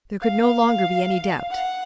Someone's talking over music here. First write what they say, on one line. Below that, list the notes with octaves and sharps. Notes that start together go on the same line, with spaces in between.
There could no longer be any doubt.
F5
F#5